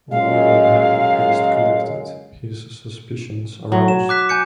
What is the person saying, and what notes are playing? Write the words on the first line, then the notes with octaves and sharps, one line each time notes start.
Moran had the paste collected, his suspicions aroused.
F#2 G#3 F5
F#3
E7
D6 F#6 B6
G#5 G6 C#7